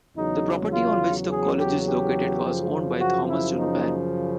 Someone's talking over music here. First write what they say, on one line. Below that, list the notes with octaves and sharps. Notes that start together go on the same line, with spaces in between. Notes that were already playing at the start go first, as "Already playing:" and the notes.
The property on which the College is located was owned by Thomas Donovan.
E2 C#3 F#3 D#4
F4
G#4
G4
G4
F#2 C#3 F3
F#4
E4
D#4